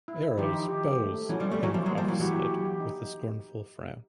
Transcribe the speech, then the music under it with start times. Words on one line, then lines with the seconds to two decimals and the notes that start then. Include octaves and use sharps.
Arrows, bows! Pencroff said with a scornful frown.
0.08 E4
0.23 E4
0.38 D#3 F3 G4
0.53 D#4
0.68 G4
0.83 G4
0.98 A3
1.14 A3
1.29 E3 F#3 C#4
1.40 F3 G3
1.44 C#4
1.51 G3 A3
1.59 E3 F#3 C#4
1.74 F3 G3 E4
1.86 F#3 G#3
1.90 A#3
1.98 F3 G3
2.05 E3 F#3 A#3
2.20 E3 F#3 G4
2.35 G4
2.50 G4
2.65 G4
2.80 D#4